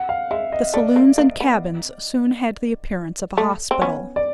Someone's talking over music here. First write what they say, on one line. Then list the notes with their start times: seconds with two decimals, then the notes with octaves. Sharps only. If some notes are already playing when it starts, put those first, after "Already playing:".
The saloons and cabins soon had the appearance of a hospital.
Already playing: F#5
0.09 F5
0.31 G#3 E5
0.52 D#5
0.74 A3 D5
0.96 A#3
1.18 A#3
1.40 B3
3.37 A3
3.71 C4
3.82 B3 C#4
4.16 D5